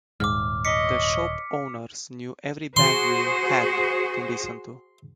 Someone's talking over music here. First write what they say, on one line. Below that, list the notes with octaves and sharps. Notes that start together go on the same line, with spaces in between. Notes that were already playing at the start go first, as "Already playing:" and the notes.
The shop owners knew every band you "had" to listen to.
D#1 G#2 D6 F6
C#5 D#5 D6 B6 C#7
F#4 G#4 C5 C6